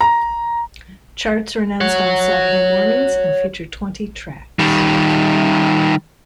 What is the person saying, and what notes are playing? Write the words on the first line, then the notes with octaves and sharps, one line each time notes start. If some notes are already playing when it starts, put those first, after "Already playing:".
Charts are announced on Saturday mornings and feature twenty tracks.
A#5
C#5 F#5
D#3 G3